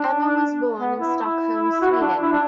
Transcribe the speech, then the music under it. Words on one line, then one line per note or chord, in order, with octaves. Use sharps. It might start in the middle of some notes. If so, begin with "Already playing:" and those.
Emma was born in Stockholm, Sweden.
Already playing: D4
B3
E4
E4
F#4
E4
D4
E4
D4